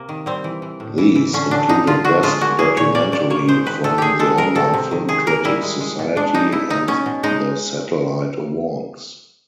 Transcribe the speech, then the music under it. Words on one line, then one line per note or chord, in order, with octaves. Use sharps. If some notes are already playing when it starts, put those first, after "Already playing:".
These included Best Documentary from the Online Film Critics Society and the Satellite Awards.
Already playing: C3 A#3
D#3
G3 C4
E3
E3
A2
E3
E3
D3 C#4
D3 D4
D3 D#4
D3 F4
D3 F#4
G#3 F4
A#3 F#4
A#3 G#4
A#2 C#5
A#3 D5
A#2 D5
A#3 C#5
G#3 C5
D#3 B4
D#3 A4
D#3 G4 G#4
G#3 A4
G#3 A#4
C3 A4
C3
D#3
D#3 G#4
A#3 A#4
G3 E4
G#3
G#3
B2
G#3 D4
B2 D#4
B2 E4
B2 D#4
B2 C#4
B2
G#3 D#4